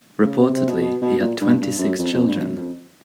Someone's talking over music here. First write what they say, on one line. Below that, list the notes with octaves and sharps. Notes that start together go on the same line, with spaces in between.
Reportedly, he had twenty six children.
C#3
C3
C3
B2
B2
B2
A#2
G2
G2
F#2
F2
F2
G2
F#2
F2